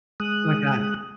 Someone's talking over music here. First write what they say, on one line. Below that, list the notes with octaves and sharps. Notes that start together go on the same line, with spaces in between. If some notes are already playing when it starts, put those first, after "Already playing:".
Oh my god.
G#3 D#6 F#6